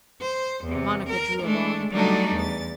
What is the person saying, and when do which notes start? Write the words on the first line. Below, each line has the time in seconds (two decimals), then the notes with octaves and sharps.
Monica drew a long breath.
0.22 C5
0.65 E2 C3
1.09 A#4
1.41 G#3 A3 D4
1.92 F#3 G3 A3 D4 D#4 A4
2.33 E2 A6